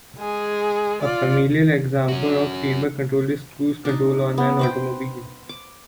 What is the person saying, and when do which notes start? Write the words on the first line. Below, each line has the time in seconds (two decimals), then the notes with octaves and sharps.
A familiar example of feedback control is cruise control on an automobile.
0.18 G#3 G#4
1.02 F4 D5
2.09 C#4 F#4
3.85 D4 D#4
4.38 B3
4.59 B4 C5 G5
5.49 D6